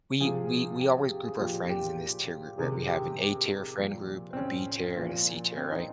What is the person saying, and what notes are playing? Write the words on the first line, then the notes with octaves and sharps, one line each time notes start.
we we we always group our friends in this tier group, right? We have an A-tier friend group, a B-tier, and a C-tier, right?
C3 F3 G#4
G4
G4
G#4
A#2 F3 G4
G4
C3 D#3 G#4
G4
G4
A#2 F3
C4
C#4
A#2 F3
C4
D#4